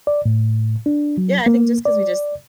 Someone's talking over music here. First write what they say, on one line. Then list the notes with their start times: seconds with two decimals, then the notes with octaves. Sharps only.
yeah, I think just 'cause we just-
0.07 D5
0.26 A2
0.86 D4
1.18 F#3
1.46 A#3
1.86 D5